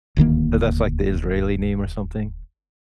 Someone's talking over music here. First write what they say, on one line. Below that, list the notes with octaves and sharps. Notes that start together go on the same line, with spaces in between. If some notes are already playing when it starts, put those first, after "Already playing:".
but, that's, like, the Israeli name or something?
D#1 D2 D#3 A#3